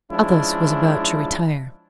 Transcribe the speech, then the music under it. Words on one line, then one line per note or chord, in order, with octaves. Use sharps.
Athos was about to retire.
F3 G#3 C#4 D4 E4